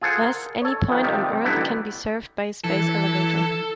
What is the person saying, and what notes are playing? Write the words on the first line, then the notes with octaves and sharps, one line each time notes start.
Thus, any point on Earth can be served by a space elevator.
F4 G#4 A4 C5 F#5
A#4
A4 C#5
F2 D#3
C3 D#3 F3 G3
A1 D3 F#3 G3 B3 E4
E3 A4